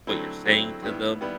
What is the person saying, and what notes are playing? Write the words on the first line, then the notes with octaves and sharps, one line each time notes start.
what you're saying to them.
D3 F#3 A3 C4 E4
D3 F#3 A3 C4 E4
G2 D#3 G3 B3 E4
D#3 G3 B3 E4